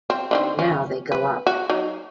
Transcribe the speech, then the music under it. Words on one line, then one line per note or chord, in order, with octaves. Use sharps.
Now they go up.
C4
D3 D#3 C4
C#4
B4
F#4
F#3 D#4